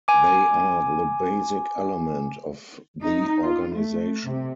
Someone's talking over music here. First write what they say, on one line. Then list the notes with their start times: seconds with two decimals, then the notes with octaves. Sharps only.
They are the basic element of the organization.
0.08 G#5 D6
3.02 D#4
3.41 F4
3.74 A3
4.24 C3